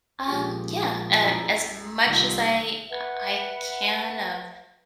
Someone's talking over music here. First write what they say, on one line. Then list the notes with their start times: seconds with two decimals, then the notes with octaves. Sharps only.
Um, yeah, uh, as much as I, uh, I can of
0.28 A#2 F3 G#3 G4
1.22 F#2 E4 A#5
2.06 C2 D#3 G3 D#4 F4
2.89 B4 E5 F#5